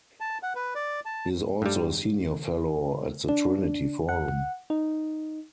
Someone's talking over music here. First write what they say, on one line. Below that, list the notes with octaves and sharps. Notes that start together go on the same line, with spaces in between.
He is also a Senior Fellow at The Trinity Forum.
A5
F#5
B4
D5
A5
G2 G3
D4
F#5
D#4